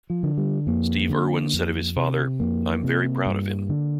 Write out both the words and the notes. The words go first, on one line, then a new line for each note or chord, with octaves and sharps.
Steve Irwin said of his father: I'm very proud of him.
F3
D3
G3
F2 A#3
D3
F2
C3
F2 A#3
C3
G2
D3